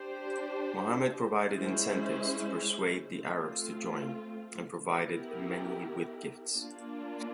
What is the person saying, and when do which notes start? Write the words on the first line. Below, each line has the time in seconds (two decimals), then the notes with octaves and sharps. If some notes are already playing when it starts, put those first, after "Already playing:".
Muhammad provided incentives to persuade the Arabs to join, and provided many with gifts.
Already playing: D4 G4 C5
1.47 G#3 C#4 E4 G#4 C5
3.17 A3 C4 F4
4.85 B3 E4 G4 A#4
6.54 A#3 D4 F4